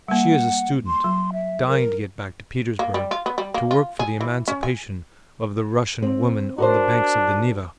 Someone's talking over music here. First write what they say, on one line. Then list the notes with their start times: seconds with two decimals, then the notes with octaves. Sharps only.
She is a student, dying to get back to Petersburg, to work for the emancipation of the Russian woman on the banks of the Neva.
0.08 G3 A#3 F#5
0.87 C6
1.04 F#3
1.33 E5
1.67 A#4
2.79 A#3
2.94 G3
3.11 F4
3.26 B3
3.38 G3
3.54 A#3
3.71 F4
3.99 G#4
4.21 E3
4.48 C#4
4.63 G#5
6.02 C4
6.58 D4 F#4 A#4 C5